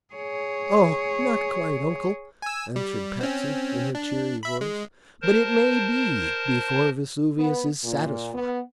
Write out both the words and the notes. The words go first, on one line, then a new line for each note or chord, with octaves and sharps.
"Oh, not quite, Uncle," answered Patsy, in her cheery voice; "but it may be, before Vesuvius is satisfied."
G#4 C#5
G#5 E6
G3
C4 C#4
D4
E5 B5
G#3
A#4 C5 A5
B3
A#2
B3